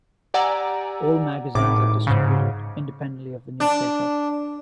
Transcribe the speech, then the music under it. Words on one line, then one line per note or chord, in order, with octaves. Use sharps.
All magazines are distributed independently of the newspaper.
G4 D5 F#5 G#5 A#5 E6
G#1 A2 D6
G#2 C#3
D4